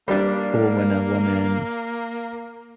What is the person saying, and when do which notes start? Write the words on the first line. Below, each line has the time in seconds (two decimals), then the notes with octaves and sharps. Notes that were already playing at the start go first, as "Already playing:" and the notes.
cool when a woman
0.08 G3 A#3 D4